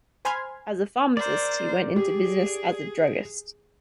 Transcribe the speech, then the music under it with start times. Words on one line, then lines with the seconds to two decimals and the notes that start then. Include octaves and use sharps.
As a pharmacist, he went into business as a druggist.
0.25 C5 G#5 B5 C6 F6 G#6
1.17 A#4 C5 D5
1.96 G4 G#4